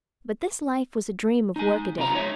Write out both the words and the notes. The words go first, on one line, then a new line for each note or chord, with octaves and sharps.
But this life was a dream of workaday.
D#4 G#5
F#2 C3 F3 F4 A#5
D#4 C#5 D#5 E5